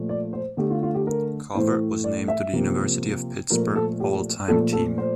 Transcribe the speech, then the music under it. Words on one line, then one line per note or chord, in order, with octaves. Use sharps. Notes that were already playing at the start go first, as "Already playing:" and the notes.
Covert was named to the University of Pittsburgh All-Time Team.
Already playing: A#2 F3 A3
D5
C5
D3 A3 G4
F4
F4
G4
A#4
A2 E3 A3 C5
D5
E5
C3 F3 A#3
A#2 F3 A3 A#4
A4
G4
A#2 F3 A3 A4
A4
C5